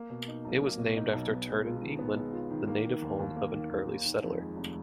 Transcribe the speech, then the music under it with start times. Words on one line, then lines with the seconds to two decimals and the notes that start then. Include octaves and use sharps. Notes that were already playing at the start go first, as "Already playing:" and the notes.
It was named after Turton, England, the native home of an early settler.
Already playing: A#3
0.10 B2
0.28 D#4
0.45 B1
0.61 A#3
0.79 B2
0.96 D#4
1.13 B1
1.30 B3
1.48 G#3
1.64 F4
1.82 D#3
1.99 B3
2.16 G#3
2.33 F4
2.50 D#3
2.68 A#3
2.85 D#3
3.02 D#2
3.19 D#2
3.36 A#3
3.53 D#3
3.70 D#2
3.88 D#2
4.05 D#3
4.22 F2
4.39 G#3
4.56 F1